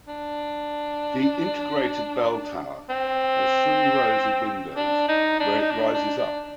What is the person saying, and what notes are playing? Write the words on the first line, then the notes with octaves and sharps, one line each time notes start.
The integrated bell tower has three rows of windows where it rises up.
D4
C4
D4
D#4
D4
D#4
D4
D4
D4